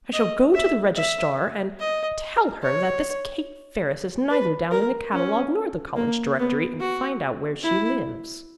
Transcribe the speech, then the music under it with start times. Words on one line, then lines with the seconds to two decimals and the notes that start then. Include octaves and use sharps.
"I shall go to the registrar and tell her that this Kate Ferris is neither down in the catalogue nor the college directory, and find out where she lives."
0.13 D#5
0.54 E5
0.96 E5
1.79 D#5
2.62 C#5
4.30 B4
4.71 A#4
5.13 C#4
5.96 A#3
6.38 B3
6.80 F#4
7.63 E4